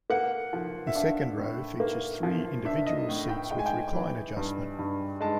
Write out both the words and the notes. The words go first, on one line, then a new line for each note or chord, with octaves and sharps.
The second row features three individual seats with recline adjustment.
A#3 F#5
F3
E5
D4 F5
A2
A#3
F3
D4 E5
D#5
A2
G5
G#3 G5
G#5
G5
E3
G2
G2
G#3 A5